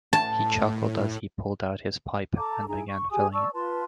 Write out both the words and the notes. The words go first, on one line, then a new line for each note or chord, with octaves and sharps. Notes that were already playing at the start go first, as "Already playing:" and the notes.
He chuckled as he pulled out his pipe and began filling it.
A2 A5
A4 A5 A#5 D6
D#4 E4 G#4 A#5
C#6
G4 G#4 G#5 D#6
D5 A5 C#6 E6
F4 B4 A5 C6